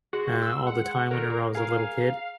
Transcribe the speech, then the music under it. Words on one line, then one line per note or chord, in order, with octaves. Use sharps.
uh, all the time whenever I was a little kid,
G#3 F#4
E6
F#5
D3 D#3 A#4
A#2 A#3
G#4 A#4 F5